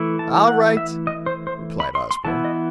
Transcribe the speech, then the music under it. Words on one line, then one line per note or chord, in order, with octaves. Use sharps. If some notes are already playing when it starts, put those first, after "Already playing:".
"All right," replied Osborne.
Already playing: E3 A3 E4
A5
F#5
E5
D#5
C5
C5
B5
C6
C6
E3 B3 E4 A5
D#5